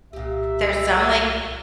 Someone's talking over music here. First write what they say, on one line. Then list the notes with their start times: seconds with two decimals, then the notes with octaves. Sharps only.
there's some, like,
0.13 C2 A#2 G4 E5